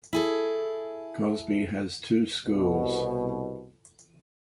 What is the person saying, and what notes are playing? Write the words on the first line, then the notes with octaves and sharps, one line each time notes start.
Cosby has two schools.
E4 G#4 A4
C2 B2